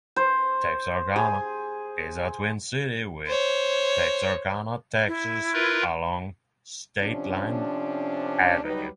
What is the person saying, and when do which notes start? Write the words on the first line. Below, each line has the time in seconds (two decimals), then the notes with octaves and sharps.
Texarkana is a twin city with Texarkana, Texas, along State Line Avenue.
0.16 C5
1.16 G#4
3.27 C5 C#5
5.07 E4
5.54 F4 A#4 B4
7.00 C3 F3 C#4 D4
8.64 F#3 G3 D#4 B4